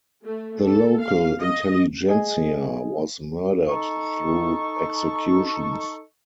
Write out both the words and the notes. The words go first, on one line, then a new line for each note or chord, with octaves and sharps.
The local intelligentsia was murdered through executions.
A3
A4
F5
D#5
G#4 D#5 G#5
D#4 A4 C#6